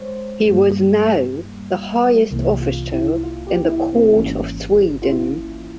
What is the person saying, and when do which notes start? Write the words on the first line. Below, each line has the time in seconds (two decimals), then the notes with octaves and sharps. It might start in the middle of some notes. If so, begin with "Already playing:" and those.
He was now the highest official in the court of Sweden.
Already playing: G#3 C5 C#5
0.45 G2 G3 A#3
2.31 C2 C3 E3 A#3
2.62 F4
2.92 E4
3.23 F4
3.47 G4
3.70 E4
3.93 C4
4.15 G#1 G#2 E3 A#3 C#4
5.02 F4
5.09 E4